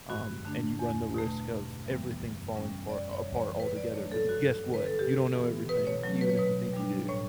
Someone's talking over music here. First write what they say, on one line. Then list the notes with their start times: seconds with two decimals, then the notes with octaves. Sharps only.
um, and you run the risk of everything falling part apart altogether. 'Cause guess what? You don't know everything, even if you think you do.
0.10 G2 F#4
0.45 D3 A3 D4
0.79 E2
1.14 B2 A3
1.50 G2
1.85 E3 G3 B3
2.20 F#2
2.54 C#3 G3 C#4
2.89 F#2 D5
3.13 C#5
3.24 C#3 E3 G3
3.36 C#5
3.59 C#3 B4
3.76 D5
3.94 F#3 A3 D4 C#5
4.12 A4
4.29 G2 F#4
4.64 D3 G3 D4
4.74 B4
4.86 A4
4.99 C#3 G4
5.34 E3 B3
5.69 B2 B4
5.87 C#5
6.04 F#3 A3 C#4
6.21 B4
6.29 C#5
6.37 B2 B4
6.74 G3 D4
7.08 A2 C#5